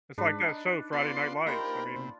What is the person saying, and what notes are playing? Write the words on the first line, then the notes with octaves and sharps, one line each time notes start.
It's like that show, Friday Night Lights, I mean,
G#2 D4 B4
D#4
B3 D4 F4 C6
A#3 D#4 G4 A#4 C5 B5
C3